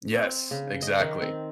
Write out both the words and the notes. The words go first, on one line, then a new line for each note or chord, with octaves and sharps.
Yes, exactly,
C4
C#3
D#5
D#3
C4